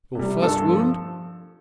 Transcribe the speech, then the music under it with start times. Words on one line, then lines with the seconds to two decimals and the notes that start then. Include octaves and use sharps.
"Your first wound?"
0.15 C3 G3
0.42 G2 A4
0.67 F3